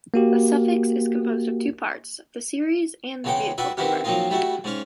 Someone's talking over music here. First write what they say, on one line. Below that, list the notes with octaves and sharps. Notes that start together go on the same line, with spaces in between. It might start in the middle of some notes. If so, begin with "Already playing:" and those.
The suffix is composed of two parts: the series and the vehicle number.
A#3 F#4 G4
E2 C#3 G#3 F#5 G5 D6
F#4 B4 D5 E5 G5
D#3 E3 C4 E4 F#4 G4
F3 F#3 A#3 C4 D#4 F4
G3 A3 E4 F#4
G#2 C#4 F5